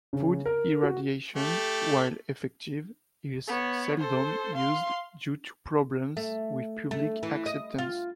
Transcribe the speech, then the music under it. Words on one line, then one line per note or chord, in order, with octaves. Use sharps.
Food irradiation, while effective, is seldom used due to problems with public acceptance.
C#3
A#4
F#4
A3 G4
B3 C#5
A4 C5
F5 C6
A3
A3
E3
D#5
F4